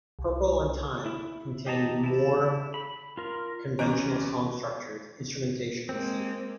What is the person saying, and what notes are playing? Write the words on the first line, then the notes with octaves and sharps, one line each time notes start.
Purple on Time contained more conventional song structures, instrumentation and singing.
C2
E4
G4 D#5 A5 A#5
E4 A5
B5
F4 A#4
D2 E3 C#4 A#5 D7
G#3 A#3 C4